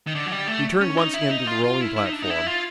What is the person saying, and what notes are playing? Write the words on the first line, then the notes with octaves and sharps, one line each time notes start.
He turned once again to the rolling platform.
D#3
D3
F#3
G3
A3
C#4
D#4
E4
D#4
F4
F4
E4
E4
D#4
D4
D#4
E4
F4